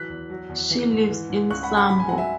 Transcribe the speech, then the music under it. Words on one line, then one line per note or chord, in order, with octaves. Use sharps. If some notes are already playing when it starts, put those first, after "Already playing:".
She lives in Sombor.
Already playing: E3 F#3 F#6 B6
E2
F#3
E2
E3
G#2
E3
G#2
C#2 C#6 F#6
F#5 B5
C#2
F#5 B5
G#2 B5
G#5
F#3 F#5
E5 G#5